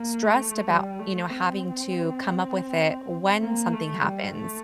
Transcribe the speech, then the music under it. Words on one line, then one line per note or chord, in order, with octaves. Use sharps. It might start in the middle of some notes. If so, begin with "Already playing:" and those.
stressed about, you know, having to come up with it when something happens.
Already playing: A#3
A3
G3
A3
C4
A#3
A3
G3
A3